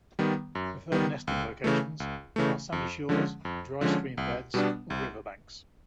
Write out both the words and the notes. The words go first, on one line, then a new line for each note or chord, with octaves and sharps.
Preferred nesting locations are sandy shores, dry stream beds, or riverbanks.
D#3 G3 B3
F#2
D#3 G3 B3
C#2
C#3 E3 A3
C#2
C#3 E3 A3
F2
D3 F3 G#3 C#4
F2
D3 F3 G#3 C#4
C2
B2 G3 B3 D4
C2